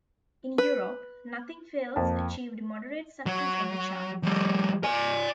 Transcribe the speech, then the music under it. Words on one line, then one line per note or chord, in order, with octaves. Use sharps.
In Europe, "Nothing Fails" achieved moderate success on the charts.
B4
F2 A#3 A5
F#3
F3 G3
D5 G#5